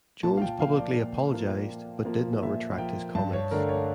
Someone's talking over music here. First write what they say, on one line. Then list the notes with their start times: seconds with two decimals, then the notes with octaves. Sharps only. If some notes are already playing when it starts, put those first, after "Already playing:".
Jones publicly apologized, but did not retract his comments.
0.23 A#2 A5
0.37 F5
0.42 G5
0.60 F3 A#3 F5
0.78 D5
0.96 A#2
1.33 F3 A#3
1.70 A#2
2.05 F3 A#3
2.42 A#2 E5
2.78 F3 A#3 G5
3.15 G2 A5
3.33 C#5
3.51 D3 A3 D4 A#4
3.69 C#5